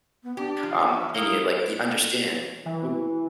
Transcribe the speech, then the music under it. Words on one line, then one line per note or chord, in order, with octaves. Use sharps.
um, and you, like you understand. O
B3
D4 G4
F3
E5
A#3 E4 D#6 F6 G7
D7
E3